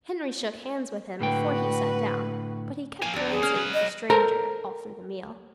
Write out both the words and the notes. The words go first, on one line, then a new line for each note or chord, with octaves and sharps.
Henry shook hands with him before he sat down, but he kept glancing at the stranger all through the meal.
A2 D3 F#4 B4 G5
F3 A#3 G#5
D#2 F#3 D4
G#4
A#3 C#4
F#3 B4
D#5
A4 A#4 C5 A#5